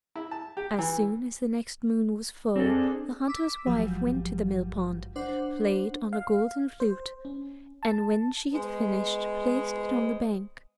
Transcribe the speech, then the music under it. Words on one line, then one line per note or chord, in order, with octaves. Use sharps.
As soon as the next moon was full the hunter's wife went to the mill-pond, played on a golden flute, and when she had finished placed it on the bank.
E4
A5
G4
E3
C4 D4 G#4 A4
D6 E6 B6
G#1 G2 F3 F#3 G4
D4 C5 F#5
F5
C5
C#4
A5
G#3 B3 C5 D#5